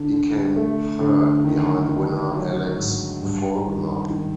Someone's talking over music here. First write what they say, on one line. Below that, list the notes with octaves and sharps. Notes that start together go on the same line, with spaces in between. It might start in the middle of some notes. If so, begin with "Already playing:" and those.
He came third behind winner Alex Faulkner.
Already playing: D3
D3
A3
D3
D#3
D#3
F#3
G#2
G2
D#3
D#3